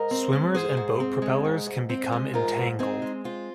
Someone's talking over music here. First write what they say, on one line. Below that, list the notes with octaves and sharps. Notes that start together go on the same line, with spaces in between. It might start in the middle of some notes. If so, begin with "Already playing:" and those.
Swimmers and boat propellers can become entangled.
Already playing: G#2 A#4 D#5
C4
G#3
G#2 G#4 C5
G#2
C4
G#3
G#2
G#2
C4
G#3
G#2 F4 A#4
G#2
C4 D#4 G#4
G#3
C4 F4